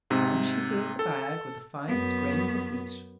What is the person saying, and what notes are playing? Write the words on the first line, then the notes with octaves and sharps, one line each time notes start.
Then she filled the bag with the finest grains of wheat.
G#2 C3
A4
F#2 B3